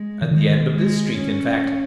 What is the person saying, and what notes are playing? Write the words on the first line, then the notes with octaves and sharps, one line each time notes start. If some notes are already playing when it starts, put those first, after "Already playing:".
At the end of this street in fact.
Already playing: G#3
E3
D#3 G#3
G#3
C#4